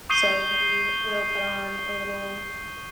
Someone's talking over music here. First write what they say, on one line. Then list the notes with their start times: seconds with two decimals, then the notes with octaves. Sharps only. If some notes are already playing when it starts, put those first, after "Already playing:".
So, we will put on a little
0.09 C#6 D#6 G6 C7 D#7 G7